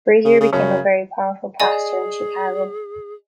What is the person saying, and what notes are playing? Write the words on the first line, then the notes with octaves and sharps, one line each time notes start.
Brazier became a very powerful pastor in Chicago.
C#3
C#3
F#2 C#3 C#4
G#4 D5 D#5 G#5